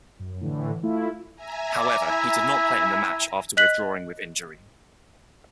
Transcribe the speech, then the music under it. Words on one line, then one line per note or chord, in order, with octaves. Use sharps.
However, he did not play in the match after withdrawing with injury.
F#2
A2 D3 E3
A3 E4 F4
E5 G#5 A#5
D5
E4
D#5 F#6 B6 F#7